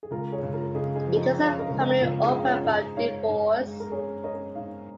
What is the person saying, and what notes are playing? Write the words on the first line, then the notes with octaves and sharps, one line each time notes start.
It is a family opera about divorce.
G#4
C#2 F4 A#4
G#4 C#5
C#2
F4 A#4
C#3 D#4 G#4
D#4 G#4
F3
D#4
C#3 C#4
F5
A#4 D#5
C#2
A#4 D#5
C#2 F4 A#4
D#4 G#4
C#3
C#4 F4
G#2 D#4 G#4
G#2 C#5 F5
G#2
G#3
A#4
C#4 G#4 C#5
C#4 A#4 D#5
G#2 F5